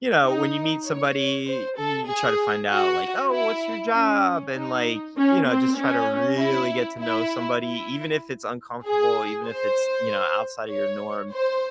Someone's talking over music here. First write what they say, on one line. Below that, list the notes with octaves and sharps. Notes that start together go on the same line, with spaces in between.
you know, when you meet somebody, y you try to find out like, "Oh, what's your job?" And, like, you know, just try to really get to know somebody even if it's uncomfortable, even if it's, you know, outside of your norm.
D#4
C#5
C5
A4
G#4
F#4
E4
C#4
D#4
C#4
C4
C#4
E4
E4
E4
G#4
C5
C#5
C5